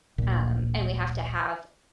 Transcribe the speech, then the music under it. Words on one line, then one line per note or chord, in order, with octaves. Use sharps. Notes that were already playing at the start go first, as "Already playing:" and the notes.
um, and we have to have
D1 A#1 A#2